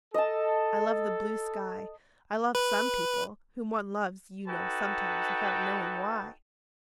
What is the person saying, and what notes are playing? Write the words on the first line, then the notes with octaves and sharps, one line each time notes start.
I love the blue sky, I love some people, whom one loves you know sometimes without knowing why.
A4 D#5 A5
B4
D#4 F#4 A4 B4 G5 A5